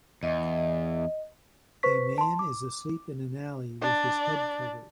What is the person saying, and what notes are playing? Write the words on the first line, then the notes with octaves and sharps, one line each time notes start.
A man is asleep in an alley with his head covered.
E2 D#5
B4 C5 C#6 B6
A5 C6
D6
D4 D5